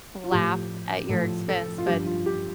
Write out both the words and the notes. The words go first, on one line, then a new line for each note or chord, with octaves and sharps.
laugh at your expense, but
F4
A2 F3 G4
A2 F3 A4
A4
F4
G2 F3 G4
F4
G4